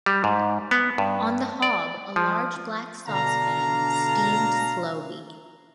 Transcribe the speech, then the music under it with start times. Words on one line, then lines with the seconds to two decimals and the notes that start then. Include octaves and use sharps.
On the hob a large black saucepan steamed slowly.
0.06 G3
0.24 G#2
0.71 B3
0.98 G2
1.62 D5
2.16 F3
3.06 B2 D3 D4 F5 A5 A#5